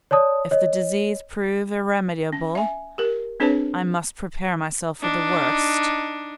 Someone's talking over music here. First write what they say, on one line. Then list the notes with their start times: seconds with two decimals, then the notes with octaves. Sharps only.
If the disease prove irremediable, I must prepare myself for the worst.
0.11 C#5 D5 A5 D#6
0.51 C#5 D#5
2.33 C#4
2.55 E5 G#5
2.98 G4 A#4
3.40 C4 D4 G#4 B4 C#5 A5
5.01 D4 D#4